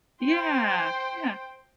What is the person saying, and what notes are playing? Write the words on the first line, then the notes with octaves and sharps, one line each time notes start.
Yeah, yeah.
C5 G5